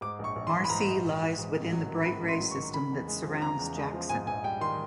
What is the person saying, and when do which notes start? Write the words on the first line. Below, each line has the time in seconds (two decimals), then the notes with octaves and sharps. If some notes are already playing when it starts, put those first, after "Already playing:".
Marci lies within the bright ray system that surrounds Jackson.
0.01 G#2 D6
0.19 A#1 C#6
0.36 A#1
0.47 C6
0.52 E3
0.64 B5
0.70 G#2 A#5
0.87 A#1
1.04 A#1
1.21 E3
1.38 G#2
1.55 A1
1.72 F#3
1.88 D#3
2.06 G#2 B5
2.23 A1
2.28 C6
2.40 F#3
2.51 C#6
2.57 D#3
2.74 C#3 B5
2.90 E2
3.08 G#3
3.25 F3
3.42 C#3 A#5
3.59 E2
3.76 G#3
3.93 F3
4.09 G#2 G#5
4.27 A#1 G#5
4.44 G3 G5
4.61 D#3 C6